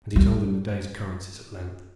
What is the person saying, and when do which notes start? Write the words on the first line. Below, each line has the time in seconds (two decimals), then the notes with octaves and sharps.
And he told him the day's occurrences at length.
0.16 G3